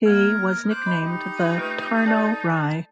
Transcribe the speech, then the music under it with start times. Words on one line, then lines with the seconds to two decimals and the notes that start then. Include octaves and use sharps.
He was nicknamed the "Tarno Rye".
0.06 G#3 A#3 A#4 G#6
0.70 C5 D6 F#6
0.87 D#5 B5
1.02 D#4 G4
1.58 A3 F4 B4
2.06 A4 D5 A5 A6